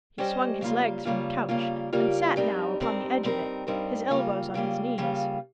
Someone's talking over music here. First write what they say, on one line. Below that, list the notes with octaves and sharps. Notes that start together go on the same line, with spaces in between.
He swung his legs from the couch, and sat now upon the edge of it, his elbows on his knees.
G3 C#4 G4 C5 D#5
C#3 G3 A#3 F4
C#3 G3 A#3 F4
C#3 G3 A#3 F4
C#3 G3 A#3 F4
G2 G3 C4 D#4 A#4
G2 G3 C4 D#4 A#4
G2 G3 C4 D#4 A#4
G2 G3 C4 D#4 A#4
C#3 G3 A#3 F4
C#3 G3 A#3 F4
C#3 G3 A#3 F4